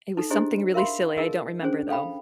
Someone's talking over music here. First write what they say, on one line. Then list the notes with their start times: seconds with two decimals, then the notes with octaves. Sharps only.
It was something really silly, I don't remember, though.
0.17 D#4 A4
0.30 D4 E4 G4 G#4 C5 D#5
0.74 A#4 E5 F5 B5 C6
1.17 D#4 F4 G#4 A#4 D#5
1.62 C#4 D4 G#4 C5
1.89 A4 F5 G5 B5